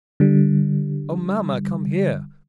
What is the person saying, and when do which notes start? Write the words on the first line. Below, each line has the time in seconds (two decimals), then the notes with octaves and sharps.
Oh, mamma, come here.
0.20 D3 G3